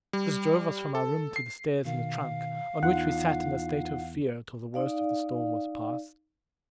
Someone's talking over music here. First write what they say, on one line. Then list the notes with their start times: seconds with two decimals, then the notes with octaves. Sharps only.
This drove us from our room to the stairs in the trunk, on which we sat in a state of fear till the worst of the storm was past.
0.13 G3
0.95 A4
1.36 C7
1.85 B2 D#3 F5
2.83 E2 D#4 F4 F#5
4.74 D#4 D5 F5